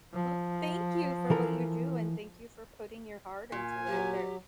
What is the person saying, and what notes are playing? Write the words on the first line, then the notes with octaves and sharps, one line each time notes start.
Well, thank you for what you do, and thank you for putting your heart into it. There
F3
E3 A4 A#4
A#2 G#5
F#3 G4